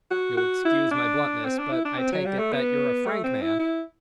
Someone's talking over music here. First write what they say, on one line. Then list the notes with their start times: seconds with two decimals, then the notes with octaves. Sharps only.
You’ll excuse my bluntness, but I take it that you’re a frank man.
0.11 F#4
0.37 F#4
0.65 E4
0.91 D4
1.45 C4
1.59 D4
1.72 E4
1.85 D4
1.98 C4
2.12 F#3
2.26 G3
2.39 A3
2.52 B3
3.06 A3
3.24 C4
3.42 E4
3.59 E4